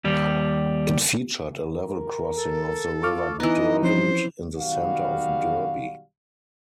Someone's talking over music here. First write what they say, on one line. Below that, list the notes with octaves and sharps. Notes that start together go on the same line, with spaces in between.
It featured a level crossing of the River Derwent in the centre of Derby.
D#2 G3
A#4
A4
F4 C#6 D6 F6
E3 B3 D#4 D#5 A#5
F3 C4 C#4 C5
B1 D#3 G3 F#4 F5